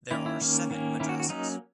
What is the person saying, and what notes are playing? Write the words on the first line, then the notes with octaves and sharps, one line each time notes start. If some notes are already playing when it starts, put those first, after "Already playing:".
There are seven madrasas.
D#3 A#3 C#4 E4
E4
D#3 A#3 C#4
D#3 A#3 C#4
D#3 A#3 C#4 E4
F#4
F#4
F#3 A#3 C#4 D#4